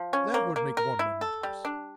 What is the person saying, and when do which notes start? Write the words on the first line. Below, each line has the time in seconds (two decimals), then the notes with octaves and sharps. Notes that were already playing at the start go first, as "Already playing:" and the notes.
That would make one monotonous.
Already playing: F3
0.13 C#4
0.34 A#3
0.56 A#3
0.77 A#4
0.99 E4
1.21 A4
1.43 G3
1.65 D4